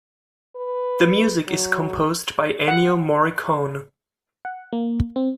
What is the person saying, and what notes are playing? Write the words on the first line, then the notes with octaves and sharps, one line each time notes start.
The music is composed by Ennio Morricone.
B4
F#3
F#5
F#5
A#3
C4